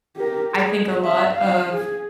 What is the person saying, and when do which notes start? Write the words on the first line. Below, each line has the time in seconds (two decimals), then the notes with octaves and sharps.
I think a lot of
0.16 G4 A#4
0.53 G#4
1.03 E5
1.35 F5
1.72 G#4